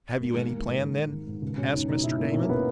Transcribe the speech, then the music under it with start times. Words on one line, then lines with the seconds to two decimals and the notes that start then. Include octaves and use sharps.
"Have you any plan, then?" asked Mr. Damon.
0.20 G#2 A#3
0.34 D#3 G#3
0.46 A#3
0.51 D#3
0.66 G#2
0.81 D#3
0.96 G#2
1.12 D#3
1.27 G#2
1.42 C#2
1.58 B2 C#4
1.72 C#2 D#4
1.88 B2 D#4
2.03 B2 E4
2.19 B2 A#3
2.30 D#4
2.34 B2 C#4
2.44 A#3
2.49 B3